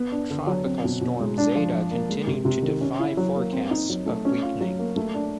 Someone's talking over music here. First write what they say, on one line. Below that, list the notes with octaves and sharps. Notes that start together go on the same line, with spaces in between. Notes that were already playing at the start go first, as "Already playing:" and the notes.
Tropical Storm Zeta continued to defy forecasts of weakening.
Already playing: B3
D4
D3
F#3
C4
B2
B2
G#3
D4
F3
F3
A#3
G#3
C3
C3
D#3
C#4
E4
F#3
A#3
C4
D#4
F#3
A3
C#4
F4
F#3
A#3
A3
D4